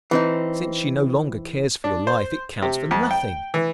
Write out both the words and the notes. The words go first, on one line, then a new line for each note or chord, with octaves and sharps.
Since she no longer cares for your life, it counts for nothing!
E3 C4 D#4
D4
C5
C3
F2
G5
E3